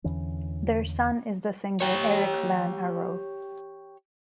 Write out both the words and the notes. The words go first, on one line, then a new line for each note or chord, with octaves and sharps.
Their son is the singer Eric van Aro.
E2 D3 E3 C#4
G4 C#5